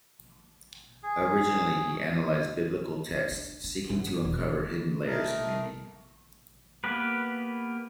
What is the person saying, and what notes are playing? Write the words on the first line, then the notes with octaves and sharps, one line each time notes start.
Originally he analyzed Biblical texts, seeking to uncover hidden layers of meaning.
G#4
C4
D4
D4
F#2
B3
E1
A3 A#4 D#5
A#3 B3 G4 B4